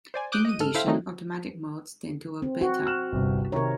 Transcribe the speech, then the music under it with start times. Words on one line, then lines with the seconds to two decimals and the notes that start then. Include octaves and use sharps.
In addition, automatic modes tend to work better.
0.14 C5 D5 G#5
0.32 D6 D#6 F#6 G6
0.45 D#5 D#7
0.60 G#2 A4 F6
0.74 E4 A4 C5 E5 F5 G5
0.87 D#3 F#3 A3 C4 D#4
2.42 C4
2.61 F#4
2.86 F6 F#6 E7
3.12 G1 C2 C3
3.52 C3 D#3 A#4 C#5 A#5